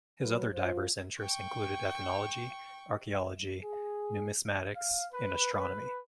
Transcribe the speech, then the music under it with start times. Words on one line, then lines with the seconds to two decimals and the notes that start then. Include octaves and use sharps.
His other diverse interests included ethnology, archaeology, numismatics, and astronomy.
0.21 F#3 B4
0.54 F4 C5
1.19 G5 C#6
3.62 G#4
4.76 F5
5.13 B4
5.54 B4